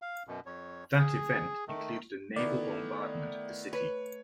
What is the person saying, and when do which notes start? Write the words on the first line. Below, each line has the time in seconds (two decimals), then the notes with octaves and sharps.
That event included a naval bombardment of the city.
0.02 F5
0.27 F#2 B2
0.46 F2 C#5
0.97 G#4
1.68 D#3 A3
2.36 D#3 A3 B3 E4 G#4 D5 C#6
3.73 B4 C#5